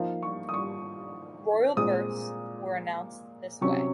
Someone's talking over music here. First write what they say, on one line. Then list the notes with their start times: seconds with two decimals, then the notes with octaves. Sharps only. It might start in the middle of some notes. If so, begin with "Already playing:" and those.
Royal births were announced this way.
Already playing: F3 A#3 D#4 F5
0.23 C#6
0.49 D#6
0.54 C#6
1.76 A#2 G#3 C4 D#6
3.61 C3 F#3 C#4 C#6